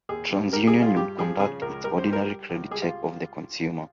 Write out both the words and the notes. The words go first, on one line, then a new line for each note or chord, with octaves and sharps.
TransUnion would conduct its ordinary credit check of the consumer.
D#2 G#4
G3
G3 A#4
G#4
G3
F4
G2 G4
F3 G#4
C#3 G#4
C#2 A#4
G3 A#4
C5
G3
A#4
G3
C#2
G3 G#4
F4